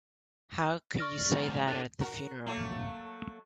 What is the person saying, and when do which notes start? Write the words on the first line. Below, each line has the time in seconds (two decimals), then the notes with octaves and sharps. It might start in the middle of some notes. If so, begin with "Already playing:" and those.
How could you say that at the funeral?
0.98 D5 C#6 F6 A#6
1.32 E2 G#2
1.68 D4 A4 C#5 F#6 A6 D#7
2.01 F#4 A#4
2.46 F#3 A3 A#3